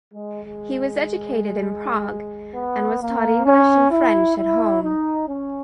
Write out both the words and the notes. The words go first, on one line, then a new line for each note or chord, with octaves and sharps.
He was educated in Prague and was taught English and French at home.
G#3
G#3
B3
A#3
C#4
E4
E4
D#4
C#4